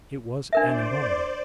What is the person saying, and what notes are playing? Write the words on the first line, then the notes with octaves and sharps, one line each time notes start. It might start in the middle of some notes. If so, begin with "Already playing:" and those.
It was an enormity.
D4 A#4 C5 D5 E5